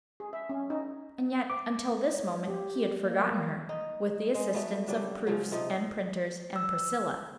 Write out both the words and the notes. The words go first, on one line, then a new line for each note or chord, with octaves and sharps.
And yet, until this moment, he had forgotten her, with the assistance of proofs, and printers, and Priscilla.
G#4
E5
C#4
D#4
D6
C#5
G4
A#3
D#4
G#3
F#3 A3 B3
C#3 F#3 G3 D4
C#3 F3 F#3
C3 F3 D#4
E6